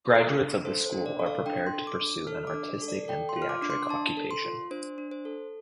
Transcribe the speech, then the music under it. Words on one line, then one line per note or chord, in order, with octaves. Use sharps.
Graduates of the school are prepared to pursue an artistic and theatric occupation.
A4
D4
A4 C5
C5
D4
D5
A4
F5
D4 G5
C6
A4
D6
D4
A4 F6
D6
D4
A4
D5
A4 G5
C6
F4
F6
D6
D4 D6
C6
D4 A5
A4
C6
F4
D4 C5
D4
C5
A4